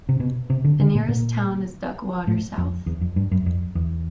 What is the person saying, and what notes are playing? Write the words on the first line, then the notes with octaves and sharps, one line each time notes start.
The nearest town is Duckwater, south.
C3
B2
C3
D3
D3
A#2
A#2
A2
F2
E2
F2
G2
F#2
F2
E2